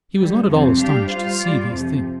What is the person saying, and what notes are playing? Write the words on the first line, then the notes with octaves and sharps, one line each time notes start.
He was not at all astonished to see these things.
G2 D3 G3
F2 C3 F3 C4
G3 D4 G4 F5
G3 F4 C5 F5
G3 F4 D5
F2 C3 F3